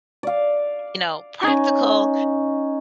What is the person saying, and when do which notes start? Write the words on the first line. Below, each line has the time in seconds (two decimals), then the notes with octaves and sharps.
you know, practical,
0.23 D5 F5
1.43 C#4 D#4